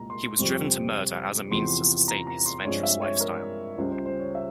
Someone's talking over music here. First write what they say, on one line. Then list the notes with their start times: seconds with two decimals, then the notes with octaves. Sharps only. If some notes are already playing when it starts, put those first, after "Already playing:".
He was driven to murder as a means to sustain his adventurous lifestyle.
Already playing: C2 A#2 G#3 A#5
0.10 C6
0.39 F2 C3 G3 C4 C#6
1.51 E2 C3 F3 C6
2.08 A#5
2.27 A#5
2.46 C6
2.64 G2 F3 G#3 C4 C#5
2.83 E5
3.02 C#5
3.20 A#4
3.78 C#2 C#3 G3 C5
3.92 C5
4.06 C5
4.20 C#5
4.35 E5